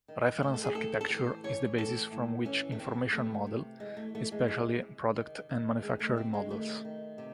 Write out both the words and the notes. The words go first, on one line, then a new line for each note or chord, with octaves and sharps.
Reference architecture is the basis from which information model, especially product and manufacturing models.
D#3
A2 C5
A4
G#4
A2 A4
A4
E3 C5
E3 C#5
A2 A4
A2
E3 C#4
A3
E3 C4
C3 A3
C3
E3 G#3
A3
E3 A3
G#3
C3 G#3
C3
D#3
D#3
C3 G#3
A3
C3 C4
G#3
D#3 A3
D#3
C3